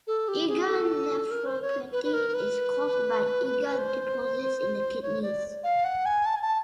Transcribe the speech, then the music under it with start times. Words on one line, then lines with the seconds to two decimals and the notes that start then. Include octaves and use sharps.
IgA nephropathy is caused by IgA deposits in the kidneys.
0.07 A4
0.28 G4
0.48 G#4
0.69 A4
1.31 A#4
1.46 C5
1.62 C#5
1.92 B4
2.04 B4
2.13 A#4
2.34 B4
3.79 C5
5.02 C#5
5.22 D5
5.64 F5
5.84 F#5
6.06 G#5
6.26 A5
6.36 G#5
6.42 A5